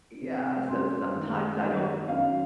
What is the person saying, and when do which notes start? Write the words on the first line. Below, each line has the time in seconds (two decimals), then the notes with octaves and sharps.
Yeah, so sometimes I don't
0.22 C3
0.68 F#2 C6
1.15 D#3
1.61 D#3 D#5
2.08 F#2 F5